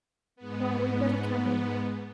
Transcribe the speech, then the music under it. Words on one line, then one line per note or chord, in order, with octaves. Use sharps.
Well, we'd better come in.
G#2 B3